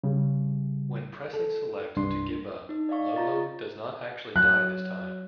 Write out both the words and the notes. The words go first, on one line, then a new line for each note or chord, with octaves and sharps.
When pressing select to give up, Lolo does not actually die this time.
C#3 G3
A4
C2 G2 D4 C6
D#4
D5 D#5 F5 C#6
F4 A#5 A6
F#3 F#6